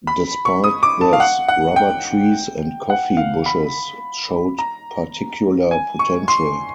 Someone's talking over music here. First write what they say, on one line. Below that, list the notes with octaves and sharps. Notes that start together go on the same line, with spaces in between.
Despite this, rubber trees and coffee bushes showed particular potential.
B5
C#6
D#6
D6
A5
F5
F#5
F#5
G5
F#5
F5
B5
A#5
G#5
C#6
C6